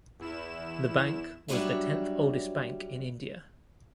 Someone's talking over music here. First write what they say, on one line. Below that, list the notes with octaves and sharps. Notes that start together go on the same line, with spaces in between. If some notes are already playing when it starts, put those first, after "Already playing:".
The bank was the tenth oldest bank in India.
E2 E4 E7
F#3 G3 D4 F#4 C#5 E5